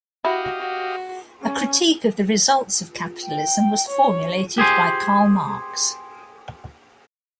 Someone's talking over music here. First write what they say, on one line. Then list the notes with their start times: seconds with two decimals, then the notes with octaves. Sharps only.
A critique of the results of capitalism was formulated by Karl Marx.
0.25 E4 F#4 G4 D#5 F5
0.60 F#4
1.43 C#4
3.25 G5
3.88 C#5
4.58 G4 G#4 C5 G#5